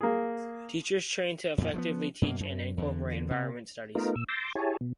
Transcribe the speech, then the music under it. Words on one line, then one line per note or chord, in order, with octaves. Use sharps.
Teachers train to effectively teach and incorporate environmental studies.
A#3 G#4
F2 A#2
F3 G#3 B3
F#2 B2 A#3
F#2
E2 D3
C3
A3 B3 D#4 F4 A#4
A#2 E6
C6 D6 E6 G6 A6 A#6
E4 G4 G#4 C#5 G#5 A5
B2